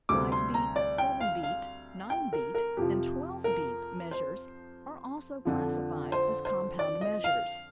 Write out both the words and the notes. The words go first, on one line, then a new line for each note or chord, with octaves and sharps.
Five-beat, seven-beat, nine-beat, and twelve-beat measures are also classified as compound measures.
D2 C3 G3 C4 D6
C6
A#5
D5
G5
F5
F5
G5
A#4
A#4
F2 C3 F3 G4
A#4
C5
F2 D3 F3
C5
C5
D5
D#5
F5